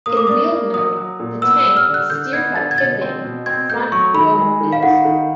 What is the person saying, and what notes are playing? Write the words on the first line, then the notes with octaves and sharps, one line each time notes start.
In wheeled mode, the tank was steered by pivoting the front road wheels.
A#3 D#6
D6
D4 D#6
A#3
F#3 D#6
F#3
A#2
B3 E6
E6
G3
F6
D3
F#6
D3 G6
B3 G#6
D3 A6
G#6
B2 A6
C4
B2
C4 G#6
A3 G6
F#3 C#6
D#3 B5
G#3
D#3
F5
D#3 F#5
D#3